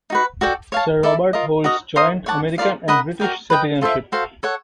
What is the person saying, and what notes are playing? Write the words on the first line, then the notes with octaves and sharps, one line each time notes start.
Sir Robert holds joint American and British citizenship.
D#4 F#4 B4
F#4 A4 D5 G5
C#5 F5 A5
E4 A4 D5
F4 A#4 D#5
F#4 A#4 D#5
C5 F5 A#5 D#6
C#5 F#5 A5 D6
F4 A#4 D5 F5
A#4 D#5 F#5 B5
F#4 A#4 D5 G5
B4 D#5 G5
F4 A4 C5 E5
F#4 A4 C5 F5
A4 C#5 F#5